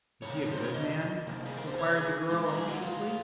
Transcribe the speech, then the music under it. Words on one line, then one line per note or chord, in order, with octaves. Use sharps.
"Is he a good man?" inquired the girl anxiously.
F2 C3 D#3 A#3 C#5
C5
C#5
D#5
C3 F3 A#3
G#4
A#4
C5
C#5
G#4
A#2 G#3 F4
A#4
G#4
F#4
F4